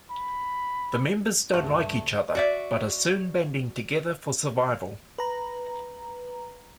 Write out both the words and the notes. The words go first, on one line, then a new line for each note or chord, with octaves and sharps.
The members don't like each other, but are soon banding together for survival.
B5
A1 D2 G2 A3 F#4
F#4 D5 E5
B4 A#5